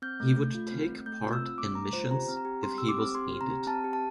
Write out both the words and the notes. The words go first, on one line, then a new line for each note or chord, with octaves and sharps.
He would take part in missions if he was needed.
C4 G6
A3
A3
F4
C4
A3
A3 G6
F4
E6
C4
A3 D6
A3 A#5
F4 C5
G4 A#5
C4
A#5
G4
C4 C6
G4 E6
D6
C4
G4 C6
C4
A#5
G4
C4 A5
G4
A5